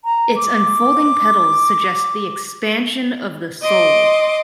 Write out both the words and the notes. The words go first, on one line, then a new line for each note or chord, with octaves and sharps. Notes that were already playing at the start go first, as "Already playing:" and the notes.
Its unfolding petals suggest the expansion of the soul.
A#5
D6
D#5 C6 D6